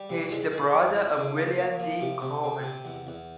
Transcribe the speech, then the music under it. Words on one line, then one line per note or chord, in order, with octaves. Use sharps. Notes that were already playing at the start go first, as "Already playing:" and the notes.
He is the brother of William D. Cohan.
Already playing: G3
C3
G#3
G#3
F2
E4
C#3
A#3
A#3
F3
C3
C3
C4
C3
E2
E2